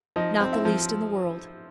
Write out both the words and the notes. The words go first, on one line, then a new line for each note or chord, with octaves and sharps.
"Not the least in the world."
F3 D#4 D#5
C4
E4 E5
F3